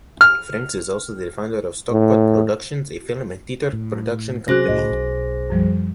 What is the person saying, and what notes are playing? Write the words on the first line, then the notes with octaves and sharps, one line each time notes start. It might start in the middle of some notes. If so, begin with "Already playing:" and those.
Franks is also the founder of Stock-pot Productions, a film and theatre production company.
F6
A2
A2
C3 F#3 C#4 F#4 G#4 C5 F#6 A#6
C2 A2 D#5
B1
F#2 F3 G3